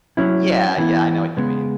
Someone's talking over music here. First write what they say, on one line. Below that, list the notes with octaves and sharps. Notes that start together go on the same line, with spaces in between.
Yeah, yeah, I know what you mean.
F#3 C#4 E4
E3 B3 E4
C#3 G#3 B3